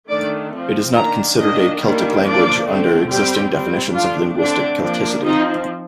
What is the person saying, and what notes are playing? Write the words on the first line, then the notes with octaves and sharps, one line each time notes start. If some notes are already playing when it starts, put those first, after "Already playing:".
It is not considered a Celtic language under existing definitions of linguistic Celticity.
D#3 A3 D4 D5
F3 C4
D#3 A#3 D4 A#5
D#3 A#3 D4 D#5
D#3 G3 A#3 D4
F3 A#3 D4 D5
D3 A3 C4
G3 C4 G4
G3 C4
F3 A3 D4 F4
D3 A3 C4 D4
F3 A#3 D4
F3 C4 D#4